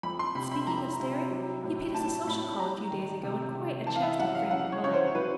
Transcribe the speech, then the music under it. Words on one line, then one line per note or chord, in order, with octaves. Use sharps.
And speaking of Sterry, he paid us a social call a few days ago, in quite a chastened frame of mind.
F2 B5
C6
C3 B5
B5
F2 A#5
C3
F#3
A2
A2 A5
A2 B5
G3 A#5
D#3
C3
C3
E3 A5
F5
E5
F#2 F#5
F5
C#3 F#5
C#5
C#3 C#5
C5
F#3 B4